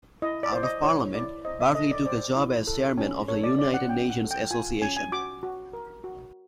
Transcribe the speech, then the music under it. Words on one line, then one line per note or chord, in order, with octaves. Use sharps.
Out of Parliament, Berkeley took a job as Chairman of the United Nations Association.
E4 D#5
D5
C5
D#5
E4 C#5
E4 D5
C5 D#5
E5
A4 D#5
D5
C5 D5
E4
A4
C#4
A4 C#5
D5
C#4 D5
F#5
C#4 G5
F#5
A4
G5
F4 G#5
C#4 G#5
G#5
F#4 D6
F#4
A#4
F#4